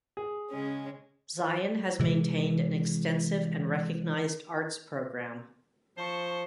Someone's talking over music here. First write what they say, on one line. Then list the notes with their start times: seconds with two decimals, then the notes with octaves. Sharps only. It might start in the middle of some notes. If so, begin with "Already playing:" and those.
Zion has maintained an extensive and recognized arts program.
0.17 G#4
0.51 C#3 G#3 C#4
2.00 C3 E3 G#3
5.97 F3 C5 A5 C#6